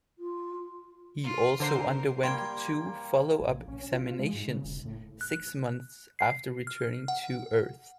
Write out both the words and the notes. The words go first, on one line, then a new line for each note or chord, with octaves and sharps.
He also underwent two follow-up examinations six months after returning to Earth.
F4
F4
D3 A#4 C5 C7
G3 A#3 G5 C6 G#6
A1
A#1
C#4
F4
F4
G#3
G#2
C#3
E1
A2
F#6
C7
F6
F#5